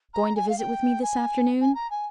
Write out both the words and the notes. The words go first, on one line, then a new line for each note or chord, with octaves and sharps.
Going to visit with me this afternoon?
A#5
G#5
F5
G5
G#5
G#5
A#5
G#5